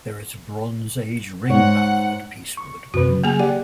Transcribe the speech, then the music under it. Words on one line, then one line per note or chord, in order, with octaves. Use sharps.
There is a bronze age ring barrow at Peacewood.
G#2 C#5 F#5
C#6
F#2 C3 F#4 B4
C#3 F#3
A#3 G#4 G#5
G4 D5 F#5 G5